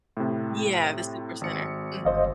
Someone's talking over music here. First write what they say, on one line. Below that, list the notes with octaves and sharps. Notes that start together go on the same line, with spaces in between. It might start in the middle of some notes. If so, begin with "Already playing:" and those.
Yeah, the Supercenter, mhm.
A2 C3
G#1 C#7
G1 C5 D#5 F5